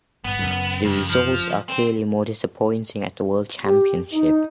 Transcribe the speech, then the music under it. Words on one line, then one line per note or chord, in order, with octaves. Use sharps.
The results are clearly more disappointing at the World Championship.
G1 B3
F#1 F#2
F2
F3
C4
G4
D#4